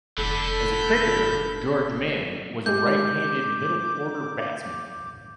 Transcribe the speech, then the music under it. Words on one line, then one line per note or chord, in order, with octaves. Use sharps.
As a cricketer, George Mann was a right-handed middle-order batsman.
F1 D3 A4 B5 G6
G#3 G4 D6 G6